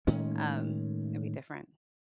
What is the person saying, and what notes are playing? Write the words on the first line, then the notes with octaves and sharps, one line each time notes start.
Um, it'll be different.
A2 D#3 G#3 C#4